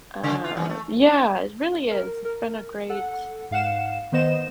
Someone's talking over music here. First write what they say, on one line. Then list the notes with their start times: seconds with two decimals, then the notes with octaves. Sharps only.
Uh, yeah, it really is. It's been a great
0.23 C#3
0.44 F4
0.57 E3
0.70 A3
1.91 A#4
2.25 A#4
2.89 A4 F#5
3.51 G#2 F5 F#5 E7
4.12 D#3 B3 C5 D#5 E7